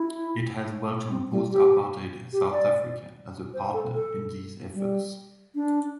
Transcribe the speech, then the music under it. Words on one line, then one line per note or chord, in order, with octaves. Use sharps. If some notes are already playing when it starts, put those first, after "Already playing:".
It has welcomed post-apartheid South Africa as a partner in these efforts.
Already playing: E4
C4
G3
G4
G4
D5
C5
A4
A4
G3
D4